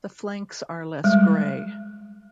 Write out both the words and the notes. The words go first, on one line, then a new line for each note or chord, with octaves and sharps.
The flanks are less grey.
G3 G#3